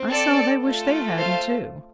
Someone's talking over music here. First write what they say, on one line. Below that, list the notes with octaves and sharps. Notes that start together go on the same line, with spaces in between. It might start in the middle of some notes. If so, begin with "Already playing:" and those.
I saw they wished they hadn't too.
Already playing: C4
A4 D5
A3 F4 A4
C5 F5